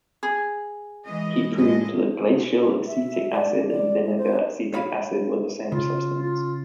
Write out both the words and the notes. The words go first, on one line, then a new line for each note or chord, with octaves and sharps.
He proved that glacial acetic acid and vinegar acetic acid were the same substance.
G#4
E3 G#3 D#5
A2 G#3 D#5
E5
D5
D5
G#3
C5
C#5 F5 B5
C#3 F4
F4